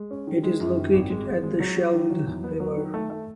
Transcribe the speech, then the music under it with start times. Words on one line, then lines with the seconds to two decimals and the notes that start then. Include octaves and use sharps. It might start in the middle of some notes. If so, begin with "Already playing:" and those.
It is located at the Scheldt river.
Already playing: G#3
0.11 C#4
0.27 D#3
0.43 G#3
0.60 F#2
0.77 D#3
0.93 G#1
1.10 G#3
1.26 G#1
1.44 G#3
1.60 F#3
1.77 F#3
1.93 D#3
2.10 F#3
2.27 E2
2.44 B3
2.60 F#3
2.77 D#3
2.94 A3
3.10 A3